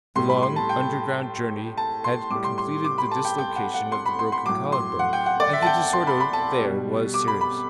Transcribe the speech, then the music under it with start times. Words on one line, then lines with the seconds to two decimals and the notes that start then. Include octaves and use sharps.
The long, underground journey had completed the dislocation of the broken collar-bone, and the disorder there was serious.
0.16 A2 G3 C6
0.29 B5
0.43 C6
0.56 A5
0.69 G5
1.77 A5
2.04 C6
2.30 A2 G3 D6
2.44 C6
2.58 C6
2.85 D6
2.98 B5
3.11 A5
3.25 G5
3.38 G5
3.56 F#5
3.74 F#5
3.92 C6
4.06 B5
4.19 C6
4.32 C6
4.46 A2 F#3 D6
4.72 C6
4.99 F#5
5.13 G5
5.26 F#5
5.40 D5
5.53 E5
5.62 A5
5.67 G5
5.93 C6
6.07 B5
6.20 B5
6.33 A5
6.61 B2 G3
7.14 D6
7.28 B5
7.41 B5